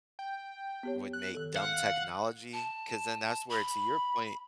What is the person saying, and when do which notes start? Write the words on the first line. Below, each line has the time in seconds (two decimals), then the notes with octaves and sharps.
would make dumb technology. 'Cause then that's where to your point
0.19 G5
0.83 B3 G4 C#5
1.13 F#6
1.34 D#3 A4
1.56 F5 F#5
2.53 A5
3.50 B5